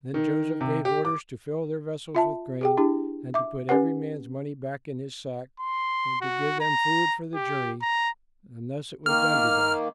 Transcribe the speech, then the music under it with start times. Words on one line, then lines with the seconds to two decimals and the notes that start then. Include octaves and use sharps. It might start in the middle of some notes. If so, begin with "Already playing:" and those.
Then Joseph gave orders to fill their vessels with grain and to put every man's money back in his sack and to give them food for the journey; and thus it was done to them.
0.14 D#3
0.61 C3
0.85 G4
1.05 D6
2.15 F4 E5 A5
2.61 G4 G#4 G5
2.77 D4 E4 G4
3.34 E5 D6
3.69 C#4 G4 B4 F#5
5.60 C6
6.21 F#4
6.60 A#5
7.34 G4
7.82 A#5
9.06 D#3 A#3 F6